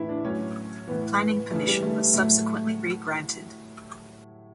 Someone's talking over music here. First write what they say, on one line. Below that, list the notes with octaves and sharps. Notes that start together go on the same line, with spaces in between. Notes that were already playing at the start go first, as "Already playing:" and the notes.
Planning permission was subsequently re-granted.
Already playing: A2 E3 E4
D4
A2 F#3 C#4
A2 E3 B3
C#3 E3 A3
G3
A3
A2 F#3 A3